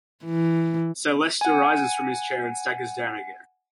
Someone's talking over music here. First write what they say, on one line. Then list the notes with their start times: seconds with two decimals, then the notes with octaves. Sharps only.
Sir Leicester rises from his chair and staggers down again.
0.24 E3
1.41 F#5 G#5